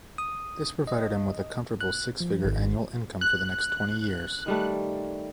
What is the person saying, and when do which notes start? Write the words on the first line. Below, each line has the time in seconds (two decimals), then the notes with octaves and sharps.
This provided him with a comfortable six-figure annual income for the next twenty years.
0.18 D#6
0.87 D#5
1.81 F#6
2.20 F3
2.45 G#1
3.21 F#6
4.46 D#3 G3 A3